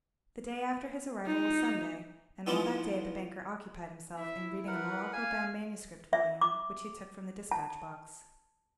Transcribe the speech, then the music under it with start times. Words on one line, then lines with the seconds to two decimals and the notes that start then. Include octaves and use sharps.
The day after his arrival was Sunday, and all that day the banker occupied himself in reading a morocco-bound manuscript volume, which he took from the despatch-box.
1.26 D#4
2.47 E3 F3 B3 D#4 F4 C5
4.17 E4 E5
4.67 A#4 B4 F#5
5.13 F5 G#5
6.13 E5
6.41 D6
7.51 A5